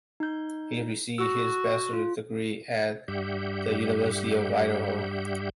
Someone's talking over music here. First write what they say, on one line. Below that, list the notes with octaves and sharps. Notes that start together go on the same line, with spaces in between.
He received his Bachelor's degree at the University of Idaho.
D#4 G6
F#4 E6
F4
G2 G3 G4 E5 F#5 G6